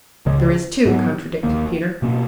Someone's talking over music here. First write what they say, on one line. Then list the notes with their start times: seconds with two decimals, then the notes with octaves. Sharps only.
"There is too," contradicted Peter.
0.26 C#2 C#3 G#3
0.85 G#2 F#3 B3
1.43 D#2 D#3 A#3
2.02 B2 A#3 C#4